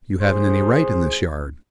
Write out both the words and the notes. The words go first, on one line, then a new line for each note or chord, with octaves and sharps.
"You haven't any right in this yard."
A1 G#4 C5